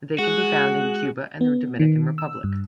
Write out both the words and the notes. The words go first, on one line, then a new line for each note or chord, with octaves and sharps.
They can be found in Cuba and the Dominican Republic.
G#3 F#4 G#4 F#5 F#6
B3
D#3
E6
G2